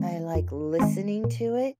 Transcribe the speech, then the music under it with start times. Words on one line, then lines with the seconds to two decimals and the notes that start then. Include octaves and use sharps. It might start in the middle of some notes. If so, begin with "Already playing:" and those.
I like listening to it-
Already playing: D#3 G#3 C4
0.35 F2
0.79 D#3 G#3 C4
1.24 A#2